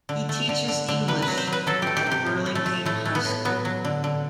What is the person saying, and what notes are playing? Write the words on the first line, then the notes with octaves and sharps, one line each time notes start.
He teaches English at Burlingame High School.
D3
A3
D3
D3
D3
C3 B4
B4
F#3
C5
F#3
B4
F#3 A4
A3 G4
G4
C3
G4
A2
A2
A3
A3
A2 A3
A3
B3
A2
F#3 B3
F#3
D3
D3